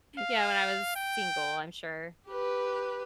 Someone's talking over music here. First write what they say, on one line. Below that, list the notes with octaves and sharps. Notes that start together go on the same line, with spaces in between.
yeah, when I was single, I'm sure.
F5
G5
G4 B4